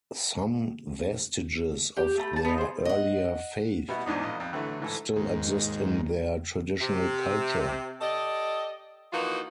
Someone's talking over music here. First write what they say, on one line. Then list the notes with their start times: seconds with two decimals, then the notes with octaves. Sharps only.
Some vestiges of their earlier faith still exist in their traditional culture.
1.97 G4 G5
2.17 A3 A#5 B5
2.33 A5 A#5
2.45 B3 D#4
2.58 G#4 C5
2.85 D#5 F#5
3.88 B2 G3 B3 E4 F#4
4.06 E2 G#2 D4 D#4
4.23 A#1 E2 D#5
4.40 F2
4.53 D3 E3 F#3 A3
4.82 G#2 E3 A4
5.16 D#2 G#2
6.81 C3
8.01 G4 A4 D5 D#5
9.13 E3 F3 A#3 D#4 F4 F#4